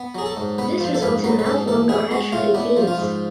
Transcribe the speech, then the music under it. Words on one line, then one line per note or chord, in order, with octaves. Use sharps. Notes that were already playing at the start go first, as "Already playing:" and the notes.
This results in malformed or atrophied beans.
Already playing: B3
F#3 G#4
A4
G#2
B3 B4
F3
A4
G#2 B4
F#3 B4
B4
G#2 A4
A1 A4
B3 G#4
G#3 F#4
A2 F4
B3 D4
F3
F4
G#2